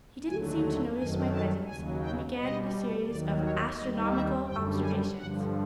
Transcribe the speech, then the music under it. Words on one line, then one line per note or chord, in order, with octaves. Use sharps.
He didn't seem to notice my presence and began a series of astronomical observations.
D#2 D3 F#3 A3 G#5
F#2 D#3 F#3 A3 G#5
A5
D#2 C#3 F#3 G#5
G5
B2 G3 D#5
D#2 D#3 F#3 D5
C#5
D#2 D#3 G3 D#5
E5
F#2 D3 G3 G5
G#5
G2 D3 F3 F#5